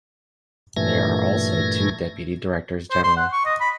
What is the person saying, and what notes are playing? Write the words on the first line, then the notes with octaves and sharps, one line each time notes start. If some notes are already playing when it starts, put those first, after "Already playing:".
There are also two Deputy Directors-General.
G2 A#2 E3 A3 G#6 A#6
C5
C6
F#5
C#6
D#5
B5